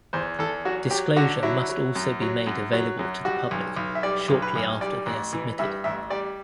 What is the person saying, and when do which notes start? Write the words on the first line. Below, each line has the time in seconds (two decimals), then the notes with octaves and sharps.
Disclosure must also be made available to the public shortly after they are submitted.
0.13 E2 C5
0.39 E2 A4
0.65 F#3 F#4
0.91 F#3 G4
1.17 D3 F#4
1.43 F#3 E4
1.69 F#3
1.96 F#2
2.22 F#3
2.47 F#2
2.73 F#3
2.99 F#2
3.25 G3 F#4
3.51 B1
3.76 B1
3.95 E5
4.03 G3 D5
4.28 B1
4.42 B4
4.55 B1
4.81 G3 D5
5.06 A1
5.33 E3
5.59 G2 E5
5.84 A1 E5
6.10 G3 D5